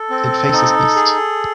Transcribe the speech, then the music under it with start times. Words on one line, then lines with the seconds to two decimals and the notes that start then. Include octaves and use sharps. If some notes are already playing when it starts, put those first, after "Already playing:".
It faces east.
Already playing: A4
0.10 C4
0.52 D#4
0.96 G#4